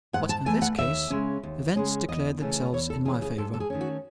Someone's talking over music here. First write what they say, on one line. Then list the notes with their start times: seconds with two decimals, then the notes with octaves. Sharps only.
But in this case, events declared themselves in my favor.
0.13 G#2 F#5
0.29 A5
0.46 E3 A3 G#5
0.62 F#5
0.78 D#2 E5
1.10 C#3 G#3 C#4
1.43 D#2
1.75 C#3 G#3 C#4
2.08 E2 D#5
2.41 C#3 E3 A3 C#4
2.73 E2 C#5
2.90 A4
3.05 C#3 E3 A3 C#4 G#4
3.22 G#4
3.38 G#2 A4
3.54 A4
3.60 G#4
3.70 D#3 A3 C#4
3.81 F#4